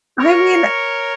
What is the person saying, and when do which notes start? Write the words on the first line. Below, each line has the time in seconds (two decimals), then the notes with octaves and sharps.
I mean,
0.19 A#4 C#5